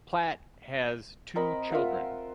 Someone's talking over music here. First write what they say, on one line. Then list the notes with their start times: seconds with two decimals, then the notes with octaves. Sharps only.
Platt has two children.
1.36 C4 A#4 D#5 B5
1.70 F4 A#4 E5 F#5